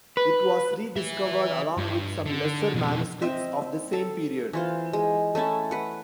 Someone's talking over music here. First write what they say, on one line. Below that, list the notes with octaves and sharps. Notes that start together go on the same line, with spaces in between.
It was rediscovered along with some lesser manuscripts of the same period.
B4
B4 E5
G2
D3
F2 B2
C4 D#5 E5
A4
E3 F4 C5
G#3
A3 C#4 E4 A5
B4 F#5